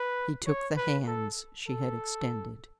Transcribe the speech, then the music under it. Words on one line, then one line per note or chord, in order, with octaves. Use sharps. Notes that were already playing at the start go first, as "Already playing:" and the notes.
He took the hands she had extended.
Already playing: B4
C#5
B4
A4
A4